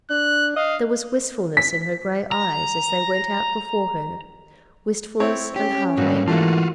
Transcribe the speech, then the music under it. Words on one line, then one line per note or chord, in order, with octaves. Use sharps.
There was wistfulness in her grey eyes as they went out before her, wistfulness and heartache.
D4 F#6
D#5 F5
B6
A#5
C4 E4 C#5
C#4 G4
G#2 G3 A#3 F#4
G#2 E3 A3 A#3 F4 F#4